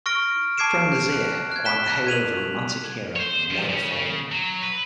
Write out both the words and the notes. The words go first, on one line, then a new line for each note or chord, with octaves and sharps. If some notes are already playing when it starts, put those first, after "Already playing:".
Prem Nazir acquired the halo of a romantic hero and a loyal following.
C#6 F6 A#6 D7
A5 D6 G#6 C7 D7 E7
F#6
F#6 G#6
F#6 B6 E7 G7
G#6 D#7 F7 F#7
C5 C#5
D3 F3
C#3 C#4
C#3
F#3
B4